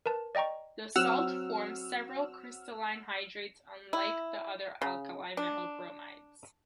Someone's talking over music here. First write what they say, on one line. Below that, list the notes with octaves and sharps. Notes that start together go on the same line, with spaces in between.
The salt forms several crystalline hydrates, unlike the other alkali metal bromides.
A#4 B4 A5
D5 D#5 G5 A#5 C#6
F#3 C4 F#5 E6 F6
E4
C#3
D4